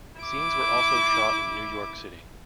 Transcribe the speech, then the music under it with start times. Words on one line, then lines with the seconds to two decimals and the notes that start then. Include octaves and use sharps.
Scenes were also shot in New York City.
0.20 E4 D6